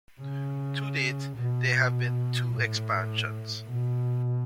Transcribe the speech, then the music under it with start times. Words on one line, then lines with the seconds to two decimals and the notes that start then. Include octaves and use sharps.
To date, there have been two expansions.
0.20 C#3
1.37 B2
2.51 A2
3.68 B2